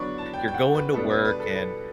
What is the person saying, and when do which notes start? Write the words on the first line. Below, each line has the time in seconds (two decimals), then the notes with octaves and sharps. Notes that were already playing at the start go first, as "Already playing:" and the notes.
you're going to work and,
Already playing: D3 F#3 B3 D4 B5 C#6
0.18 A5
0.34 G5
0.48 G5
0.54 F#5
0.75 B4
0.94 B2 G3 B3 D4 A4
1.10 B4
1.25 B4
1.40 A4
1.55 B4